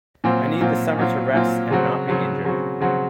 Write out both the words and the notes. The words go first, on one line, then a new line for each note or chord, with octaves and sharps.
I need the summer to rest and not be injured.
A#2 F#3 C4 F4
A#2 F#3 C4 F4
A#2 F#3 C4 F4
A#2 F#3 C4 F4
C#3 F#3 C4 F#4
C#3 F#3 C4 F#4
C#3 F#3 C4 F#4
C#3 F#3 C4 F#4